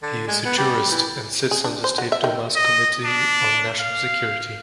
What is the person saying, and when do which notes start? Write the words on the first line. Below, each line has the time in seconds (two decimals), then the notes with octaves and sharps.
He is a jurist, and sits on the State Duma's Committee on National Security.
0.03 D3
0.28 G#3
0.45 B3
0.58 G3
0.91 E3
1.51 G#4
1.64 D4
1.84 C5
1.98 F#3
2.12 E5
2.24 D#3
2.56 D#5
3.04 D4
3.79 F5